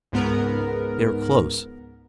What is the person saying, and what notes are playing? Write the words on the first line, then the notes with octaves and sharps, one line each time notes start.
They are close.
C#2 G#2 B3 A#4